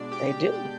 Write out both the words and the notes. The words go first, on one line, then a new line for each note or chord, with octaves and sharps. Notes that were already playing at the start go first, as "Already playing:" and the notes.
They do.
Already playing: B2 G#3 D4 D5
B2 G4 G5